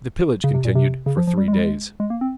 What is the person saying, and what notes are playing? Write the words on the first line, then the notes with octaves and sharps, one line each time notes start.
The pillage continued for three days.
C#3
C3
A#2
C3
C#3
F3
F3
G3
G#3
G3
G#3
G#3
A#3
C4